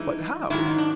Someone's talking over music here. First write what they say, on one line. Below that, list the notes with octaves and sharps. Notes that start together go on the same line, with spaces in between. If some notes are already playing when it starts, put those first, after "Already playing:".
"But how?"
Already playing: G2 E3 G#3 D#4
G#2 D#3 F#3 E4
D#4
D4